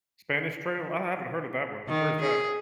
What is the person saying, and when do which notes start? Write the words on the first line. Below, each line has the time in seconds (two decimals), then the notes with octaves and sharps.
Spanish Trail? I haven't heard of that one. Where is that?
1.88 D#3
2.21 G#4